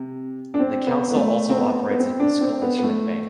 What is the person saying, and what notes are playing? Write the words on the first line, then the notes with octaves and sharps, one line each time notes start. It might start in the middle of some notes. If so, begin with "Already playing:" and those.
The Council also operates a Musical Instrument Bank.
Already playing: C3
D4
C4
B3
B3
A3
C4
B3
B3
C4
D4
C4
B3
B3
A3